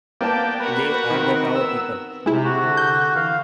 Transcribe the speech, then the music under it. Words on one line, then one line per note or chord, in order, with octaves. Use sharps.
They are the Tao people.
A#3 B3 D5 G5 A5
F#4 A#4 B4
D#3 C4
B3 E6
C3 G#3 E4
F#4
D3
G6
E3 F5